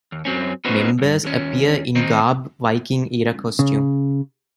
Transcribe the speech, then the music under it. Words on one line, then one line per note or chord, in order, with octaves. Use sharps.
Members appear in "garb" - Viking-era costume.
D#2
F#2 F#3 C4 C#4
B3 C#4 D#4 F#4 B4 C5
B1 G2
D#2 C#4
D#3 C4 D#4
C#3